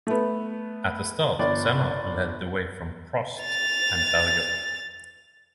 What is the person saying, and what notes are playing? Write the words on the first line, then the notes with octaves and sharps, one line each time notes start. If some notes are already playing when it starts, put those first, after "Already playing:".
At the start, Senna led the way from Prost and Berger.
A3 B3
G1 D5
A6 F7